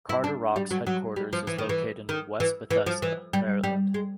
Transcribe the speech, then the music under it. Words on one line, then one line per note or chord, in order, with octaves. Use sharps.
Carderock's Headquarters is located in West Bethesda, Maryland.
E4
D4
G3
F#3
F#3
G3
F3
E3
D#3
E3
D#3
E3
E3
F3
E3
G3
G3
G#3